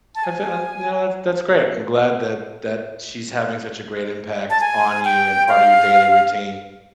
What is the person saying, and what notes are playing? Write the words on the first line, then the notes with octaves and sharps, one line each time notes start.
I feel, um, no, that's that's great, I'm glad that that she's having such a great impact on you and part of your daily routine,
A5
G#5
A5
G#5
G5
F5